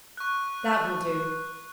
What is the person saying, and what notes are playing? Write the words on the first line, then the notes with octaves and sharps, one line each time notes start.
That will do.
C#6 F#6